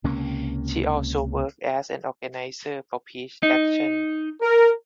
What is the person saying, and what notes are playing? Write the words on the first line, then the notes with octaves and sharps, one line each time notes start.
She also worked as an organizer for Peace Action.
C#2 C3 A#3 C#4
D#4
A#4